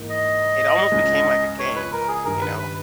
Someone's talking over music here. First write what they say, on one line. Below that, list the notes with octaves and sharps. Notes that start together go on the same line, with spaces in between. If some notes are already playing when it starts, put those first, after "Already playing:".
It almost became like a game, you know?
Already playing: G#2 E3 A#3 D#4
D#5
C#2 C#3 G#3
C#5
B4
A#4
G#4
G2 D#3 G3 A#4
B4
B4